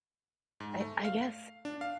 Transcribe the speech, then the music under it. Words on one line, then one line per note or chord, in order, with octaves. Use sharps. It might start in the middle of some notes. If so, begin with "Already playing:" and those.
I I guess,
G#2
A3
F5
D4
F5